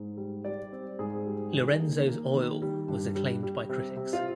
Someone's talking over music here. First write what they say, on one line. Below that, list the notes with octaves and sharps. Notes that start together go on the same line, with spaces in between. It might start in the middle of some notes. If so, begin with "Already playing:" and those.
"Lorenzo's Oil" was acclaimed by critics.
Already playing: G#2
G3
G3 D5
C4
G#2 G#4
G3
D#3
A#3
A#3
D#3
G3
G2
G3
G3
C3
C3
F4